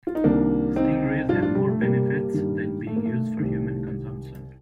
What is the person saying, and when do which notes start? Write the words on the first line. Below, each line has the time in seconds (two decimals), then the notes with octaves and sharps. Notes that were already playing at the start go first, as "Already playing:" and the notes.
Stingrays have more benefits than being used for human consumption.
0.07 F4
0.15 D#4
0.24 C2 C3 D#3 A#3 D4
0.76 C4 D#4
1.29 G2 F3 D4 F4
1.42 D4 F4
1.55 G3
1.69 A3
1.82 G3 A#3
2.34 G2 D#3
2.87 A3
2.96 A#3
3.05 A3
3.40 C2 C3 D#3